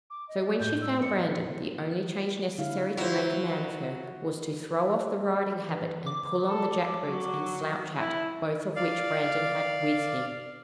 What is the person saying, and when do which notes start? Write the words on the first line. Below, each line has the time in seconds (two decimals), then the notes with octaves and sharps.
So when she found Brandon, the only change necessary to make a man of her was to throw off the riding habit and pull on the jack-boots and slouch hat, both of which Brandon had with him.
0.10 D6
0.29 D#5
0.59 A2 G6
0.82 E6
1.02 A#3 D5 C#7
2.58 D3 E4 F5
2.97 F#3 E4 F4 C5
5.69 E3
6.06 D6
6.47 A4
7.05 F#3 F#4
7.98 E4
8.76 D5 F5